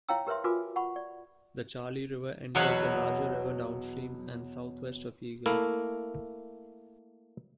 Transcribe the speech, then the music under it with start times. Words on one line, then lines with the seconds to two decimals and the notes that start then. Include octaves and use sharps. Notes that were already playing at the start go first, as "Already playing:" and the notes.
The Charley River enters the larger river downstream and southwest of Eagle.
0.09 E4 C#5 F5 G5 A#5 E6
0.27 G4 A#4 B4 C#5 E5 C6
0.44 F4 F#4 A#4 B4 G#5 D6
0.76 F#5 B5 C#6
0.96 D5
2.55 E2 B2 F#3 B3 F5 F#5
5.46 A3 A#3 E4 A#4